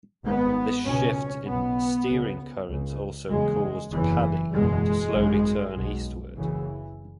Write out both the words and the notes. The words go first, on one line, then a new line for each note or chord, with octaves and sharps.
This shift in steering currents also caused Pali to slowly turn eastward.
G#1 G#2 B3
C#2 B2 C#4
B1 B2 B3
C#2 C#3
C#2 C#3
F#1 E2 C#3 G#3
F#1 E2 C#3 E3
F#1 E2 B2 G#3
G#1 F#2 C#3
B1 B2
F#1 F#2 C#3 E3